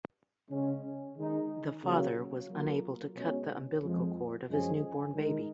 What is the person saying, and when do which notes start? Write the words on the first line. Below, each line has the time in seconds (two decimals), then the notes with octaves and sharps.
The father was unable to cut the umbilical cord of his newborn baby.
0.50 C#3 G#3 C#4
1.16 D#3 G#3 D#4
1.83 C#3 F#3 A#3
2.50 F#3 A#3 F4 A#4
3.16 B2 G#3 C#4
3.82 F2 F3 G#3
4.48 F#2 F3 G#3 C#4 G#4
5.14 D#3 G#3 D#4 A#4